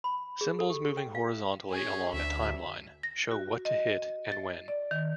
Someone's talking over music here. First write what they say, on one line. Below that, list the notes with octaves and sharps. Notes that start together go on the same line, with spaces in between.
Symbols moving horizontally along a timeline show what to hit and when.
B5
G#4
A4
G4
G5
F5
C#4 G#4
D2 E5
A#6
F#4
D#5
A6
D5
D#3